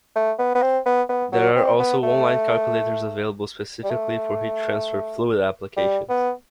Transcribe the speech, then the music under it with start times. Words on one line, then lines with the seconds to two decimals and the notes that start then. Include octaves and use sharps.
There are also online calculators available specifically for heat transfer fluid applications.
0.16 A3
0.39 B3
0.55 B3
0.62 C4
0.86 B3
1.09 B3
1.32 F#3
1.56 C4
1.79 B3
2.03 A3
3.83 G3
3.90 A3
5.77 G3
6.09 B3